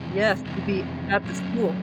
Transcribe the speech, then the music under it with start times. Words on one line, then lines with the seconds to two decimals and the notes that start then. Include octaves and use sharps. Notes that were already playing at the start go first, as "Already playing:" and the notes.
Yes, you'd be at the school.
Already playing: F2 C3 E3 G#3
0.46 F2 C3 E3 G#3
1.24 A#2 F#3 A3 C#4